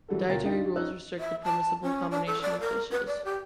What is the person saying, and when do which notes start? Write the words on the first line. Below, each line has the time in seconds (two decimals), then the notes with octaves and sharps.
Dietary rules restrict the permissible combination of dishes.
0.08 E3 F#3 G3 F#4 A4
0.29 D2 B2 F4 A#4 G5 A6
0.45 D4 D#4 F4 G5
0.64 G4
0.76 C#4 D#4 C#5 E6 F#6
1.20 E5
1.44 A5
1.83 C#4
2.11 D4
2.26 A4
2.42 D5
2.61 A#4
2.92 B4
3.07 D5
3.25 G4